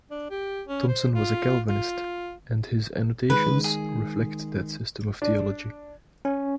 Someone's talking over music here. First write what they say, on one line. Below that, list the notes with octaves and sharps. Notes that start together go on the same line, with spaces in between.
Tomson was a Calvinist, and his annotations reflect that system of theology.
D4
G4
C#4
C5
F4
F4
D#3 G#3 B4
G#4
D4
C#4